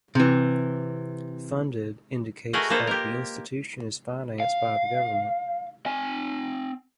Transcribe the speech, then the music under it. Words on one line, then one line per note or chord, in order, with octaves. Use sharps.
Funded indicates that the institution is financed by the government.
C3 E3
A3 F#4 G#4 A#4 B4 D#5
A#3 F4 A4 B4 C5 F5
G4 A#4
F5
C4 G#5